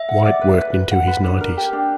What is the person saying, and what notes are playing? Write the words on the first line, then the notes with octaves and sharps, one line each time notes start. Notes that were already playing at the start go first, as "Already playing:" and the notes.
White worked into his nineties.
Already playing: E5
F#5
D5
B4
B4
B4
F#5
B4
D4
A#4
G4
D4